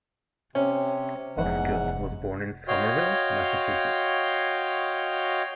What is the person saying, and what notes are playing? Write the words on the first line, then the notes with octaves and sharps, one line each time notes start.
Osgood was born in Somerville, Massachusetts.
C3 C#4
F1 E2 G#2 F#5
F#4 C#5 D#5 F5 G5 C6